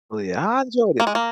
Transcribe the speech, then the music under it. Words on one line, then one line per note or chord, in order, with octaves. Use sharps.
Really, I enjoyed it.
A#3
G#3
A#3